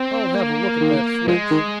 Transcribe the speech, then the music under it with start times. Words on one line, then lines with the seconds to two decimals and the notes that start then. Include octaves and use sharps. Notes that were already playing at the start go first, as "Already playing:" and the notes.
I'll have a look at that switch.
Already playing: C4
0.35 A#3
0.81 D#3
1.28 F3 G#3
1.51 D#3